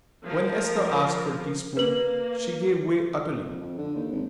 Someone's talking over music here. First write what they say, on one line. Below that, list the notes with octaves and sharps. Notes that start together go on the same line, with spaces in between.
When Esther asked for a teaspoon she gave way utterly.
F3 A#4
A#3 B4 F#7
F2
F2
D3
D#2
G#1